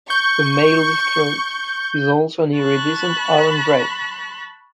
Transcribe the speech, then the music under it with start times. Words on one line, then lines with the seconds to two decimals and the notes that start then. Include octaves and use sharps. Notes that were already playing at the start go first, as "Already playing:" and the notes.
The male's throat is also an iridescent orange-red.
0.10 C#6 G6
2.56 A5 B5 C#6 F#6